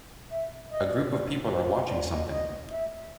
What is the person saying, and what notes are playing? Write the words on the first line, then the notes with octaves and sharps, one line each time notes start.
A group of people are watching something.
E5
D#5
D5
D#5
C#5
D5
C5
D5
D#5
D#5
E5